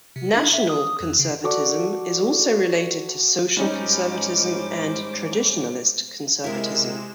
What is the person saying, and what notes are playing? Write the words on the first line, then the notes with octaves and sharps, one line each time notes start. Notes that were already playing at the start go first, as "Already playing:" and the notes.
National conservatism is also related to social conservatism and traditionalist conservatism.
C3
D4
E5
D#6
F2
C#3
F#4 A4 D5
G#2 G3 C#4 D#4 C5 D6
C3 G#3 E4 A#4 E7